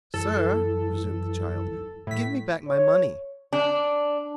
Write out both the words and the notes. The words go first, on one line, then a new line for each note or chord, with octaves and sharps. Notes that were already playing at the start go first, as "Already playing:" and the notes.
"Sir," resumed the child, "give me back my money."
F#2 E3 A4
A2 B6
C#5
D4